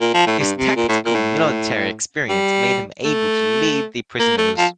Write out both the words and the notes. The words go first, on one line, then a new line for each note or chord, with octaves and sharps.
His tactical military experience made him able to lead the prisoners.
A#2
F3
A2
G2
C3
A#2
A2
A#2
A2
G3
A3
A#3
A3
F3